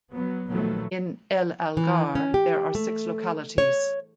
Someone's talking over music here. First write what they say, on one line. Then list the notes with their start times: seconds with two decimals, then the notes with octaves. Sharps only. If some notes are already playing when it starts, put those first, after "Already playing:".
In El Algar there are six localities.
0.13 F#3 B3
0.49 A#2 D#3 F3 F#3 A3 B3
1.77 E3
2.15 C#4
2.34 G4
2.75 A3
3.58 C#5